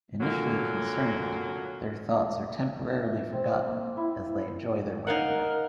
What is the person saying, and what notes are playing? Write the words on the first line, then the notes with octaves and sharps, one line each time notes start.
Initially concerned, their thoughts are temporarily forgotten as they enjoy their wedding night.
A#2 D3 F#3 A#3 F4
E5
C4
A#3
E4
D#4 A#4 F5 F#5